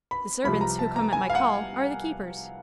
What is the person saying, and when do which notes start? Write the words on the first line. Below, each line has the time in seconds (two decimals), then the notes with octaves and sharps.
The servants who come at my call are the keepers.
0.11 B5
0.44 C2 C3 F3 B5
0.61 A#5
0.79 A5
0.96 A#5
1.13 G#5
1.30 F5
1.35 F#5